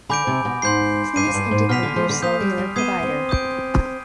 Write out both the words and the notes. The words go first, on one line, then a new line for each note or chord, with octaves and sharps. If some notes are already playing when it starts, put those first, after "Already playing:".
Please indicate your cellular provider.
D3 G#5 B5 D6 G6 D7
C3
B2
G#2 C6 G6 C7
G2 D6 G6 C7 D#7
F2
G2
G#2
B2 F6 B6 F7
D3
F3
D3
F3 D#6 G6 B6 F7
G3
G3
B3 D#6 G#6 C7 D#7 G7
C4
D#6 G6 D7